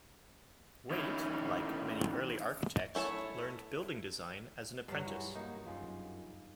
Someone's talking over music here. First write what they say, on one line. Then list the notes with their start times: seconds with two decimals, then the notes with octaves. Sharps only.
Waite like many early architects, learned building design as an apprentice.
0.91 D#3 E3 C#4 D#4 E4
2.95 A3 E4 C#5 A5
4.88 G2 F#3
5.06 E4 F#4 G#4
5.35 A#3 D#4 F#4
5.65 F#2 F4 G#4